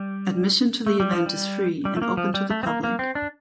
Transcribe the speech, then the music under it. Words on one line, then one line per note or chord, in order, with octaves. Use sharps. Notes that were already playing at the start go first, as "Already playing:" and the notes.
Admission to the event is free and open to the public.
Already playing: G3
A3
G3
F3
G3
G3
A3
A#3
F3
G3
A3
C4
A#3
A#3
C4
D4